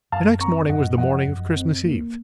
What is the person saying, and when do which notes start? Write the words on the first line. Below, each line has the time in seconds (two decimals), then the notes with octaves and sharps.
The next morning was the morning of Christmas Eve.
0.12 F#2 F5 A5
0.40 C4 A#5 C#6
0.69 F#2 D#5 F#5
0.98 F3 D#5 F#5
1.27 F#2
1.56 C4
1.85 A#3